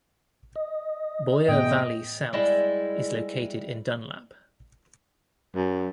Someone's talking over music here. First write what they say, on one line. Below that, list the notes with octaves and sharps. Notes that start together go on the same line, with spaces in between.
Boyer Valley South is located in Dunlap.
D#5
E2 A2 B3 D#5 G5
G3 G#3 E4
F#2